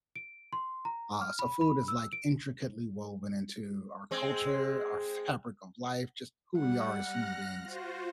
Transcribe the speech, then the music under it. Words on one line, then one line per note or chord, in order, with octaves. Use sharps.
uh, so food is, like, intricately woven into our culture, our fabric of life, just who we are as human beings,
D7
C6
A#5
F6
B5
B5
E6
D7
G#3 C4
G3 F#5
F6 F#6 A#6
F4 F#4 C5